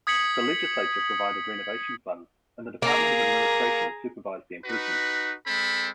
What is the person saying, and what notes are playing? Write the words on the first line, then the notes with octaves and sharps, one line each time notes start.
The Legislature provided renovation funds and the Department of Administration supervised the improvements.
D#6 G#6 B6 C#7 F#7
A#3 G#4 A#5
D#4 F#4 B4
G#3 C4 A4 B5